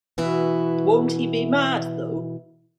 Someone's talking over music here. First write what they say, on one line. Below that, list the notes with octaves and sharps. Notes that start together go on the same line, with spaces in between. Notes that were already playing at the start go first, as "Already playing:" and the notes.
Won't he be mad, though?
B2 E3 E4 F#4